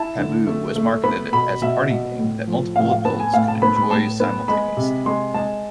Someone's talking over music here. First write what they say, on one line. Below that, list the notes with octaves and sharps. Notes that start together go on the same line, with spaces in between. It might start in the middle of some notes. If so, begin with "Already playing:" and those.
"Taboo" was marketed as a party game that multiple adults could enjoy simultaneously.
Already playing: E4 A5
D3
A3
A3
B3 B5
B2 B5
B2 E5
B2
A2
F3
A2 F5
F5
B3 A5
G#5
A2 F5
A5
B3 B5
B5
A2 A5
B3
G#3 B5
C3
G#3 C6
G#3 A5